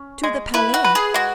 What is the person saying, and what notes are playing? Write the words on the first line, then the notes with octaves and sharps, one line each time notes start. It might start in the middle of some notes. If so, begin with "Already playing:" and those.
"To the Palais."
Already playing: C#4
G#3
E4 B4
F#4
B4
G#4
G#3 F#4